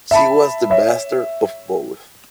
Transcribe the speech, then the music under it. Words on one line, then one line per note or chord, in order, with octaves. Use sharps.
He was the master of both.
E5 A5 B5
C#5 E5